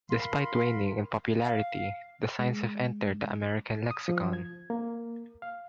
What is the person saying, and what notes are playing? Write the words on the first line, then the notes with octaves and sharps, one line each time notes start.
Despite waning in popularity, the signs have entered the American lexicon.
F4 A#4 B5 C6
F5
G#3
D#6
F3
G#6
A#3
F5